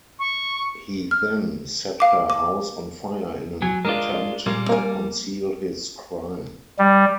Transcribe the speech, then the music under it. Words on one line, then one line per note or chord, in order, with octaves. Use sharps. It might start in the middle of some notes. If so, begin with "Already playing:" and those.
He then set her house on fire in an attempt to conceal his crime.
C#6
F6
F5 D6
D6
F#3 G#5
G#3 D4 F4 A#4 D5
A#2 G3 G#3 A#3
A#3 A#4 G#5
G3